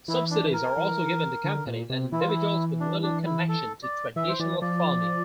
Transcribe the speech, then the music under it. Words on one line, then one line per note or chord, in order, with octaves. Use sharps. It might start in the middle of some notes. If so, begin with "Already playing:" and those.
Subsidies are also given to companies and individuals with little connection to traditional farming.
E3 E4
D4
A#4
E3
D3
A#2
C3
E3 E4
F4
E4
D4
D4
E4
A4
D5
E3 E5
C5
E3 D5
F3 D5